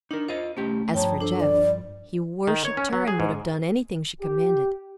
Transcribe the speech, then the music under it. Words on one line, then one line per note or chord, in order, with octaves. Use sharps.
As for Jeff, he worshipped her and would have done anything she commanded.
D4 D#4 A#4
F4 C5 D#5 F5
C2 A3 C#4 G4
G2 F3 C#5 G5 A5 A#5
D4 A4 C5
D5
D#3
C#5
C#4
F#3
G#4
G#2
G4